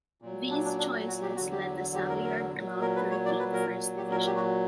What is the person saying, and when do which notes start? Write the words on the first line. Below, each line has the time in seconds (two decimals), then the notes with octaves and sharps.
These choices led the Savoyard club to regain the first division.
0.22 A#2 F#3
0.50 D4
0.64 D4
0.78 D4
1.08 F#4
1.22 G4
1.36 E2 D3 F#3 F#4
1.51 G4
1.95 G4
2.09 A#4
2.24 A#4
2.53 A#2 F#3
2.82 A#4
2.96 B4
3.11 C#5
3.25 D5
3.39 B4
3.53 A#4
3.69 A#2 F#3
3.97 G4
4.11 A#4
4.26 G4
4.36 F#4